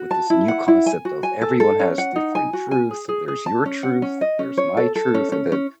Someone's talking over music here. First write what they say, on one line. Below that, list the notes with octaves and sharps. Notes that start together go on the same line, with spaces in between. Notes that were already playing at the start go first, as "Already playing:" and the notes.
with this new concept of, "Everyone has different truths, there's your truth. There's my truth," and then,
Already playing: F#4
A5
E4
F#5
E4
G#5
F#4
G#5
A4
A4
C#4
F#5
D#4
G#5
F#4
G#5
G#4
G#4
G#4
A5
C#4
F#5
C#4
D#5
C#4
C#5
A4
A4
C#4
C#4
C#4